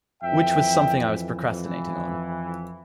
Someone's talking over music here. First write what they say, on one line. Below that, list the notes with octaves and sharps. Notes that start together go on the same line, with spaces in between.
Which was something I was procrastinating on.
F2 E3 E5 G5
F2 E3